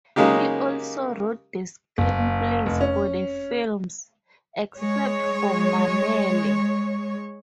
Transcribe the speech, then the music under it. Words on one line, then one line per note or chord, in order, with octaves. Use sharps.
He also wrote the screenplays for the films, except for "Mamele".
C#3 F#3 G#3 A#3 D#4 G4
F#1
F1
C#4
G#3 C#5